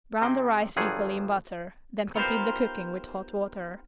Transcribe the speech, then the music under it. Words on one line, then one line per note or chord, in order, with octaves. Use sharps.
Brown the rice equally in butter, then complete the cooking with hot water.
C3 C4 D#4 G#4 G5
G1 G2 F3 F#3 G#4 F#5
B3 D#4 F4 G4 A#4 C5